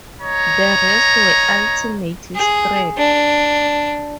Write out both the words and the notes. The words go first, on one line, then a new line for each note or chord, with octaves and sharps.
The rest were ultimately scrapped.
C#5 D#5 A#5
G#4
D4